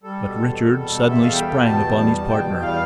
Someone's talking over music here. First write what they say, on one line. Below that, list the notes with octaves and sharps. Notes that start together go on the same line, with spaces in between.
But Richard suddenly sprang upon his partner.
G3 A4
B2
E2
E2
G3
B2
E2
E5
E2 F5
G3 G5
B2
E2 A5
E2
G3 A5
B2
E2 G5
E2
G3 F5